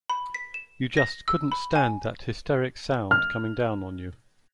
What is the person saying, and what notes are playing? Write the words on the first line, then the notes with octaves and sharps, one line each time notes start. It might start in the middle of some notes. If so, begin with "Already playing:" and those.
You just couldn't stand that hysteric sound coming down on you.
B5
B6
E7
A#6
E6
B5
G#5
F6